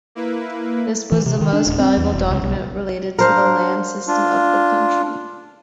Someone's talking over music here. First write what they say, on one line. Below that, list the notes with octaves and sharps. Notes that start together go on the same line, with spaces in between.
This was the most valuable document related to the land system of the country.
A#3 E4 B4
E3
C3
D#3
D4
D1
C4
E2
E1
C#2
B1
D4 A#4 C5 F5
D4 F4